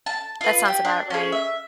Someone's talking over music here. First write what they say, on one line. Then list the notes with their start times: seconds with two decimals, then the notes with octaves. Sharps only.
That sounds about right.
0.06 A5
0.41 F4 B4
0.65 G4
0.85 D4
1.10 C#4 G#4
1.32 E5